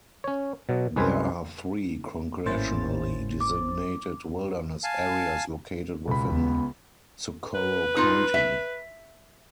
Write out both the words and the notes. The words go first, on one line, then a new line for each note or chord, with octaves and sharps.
There are three congressionally designated Wilderness areas located within Socorro County.
C#4 C#5
B2 F#3
C2 F#2 G#3 B4 C5 G#5
G#1 A2 A#3 C#4 E4 C5 A6
D6
F5 G#5 A5
C#2 B2 B5
D#2 B3
B4
D#4 F4
E5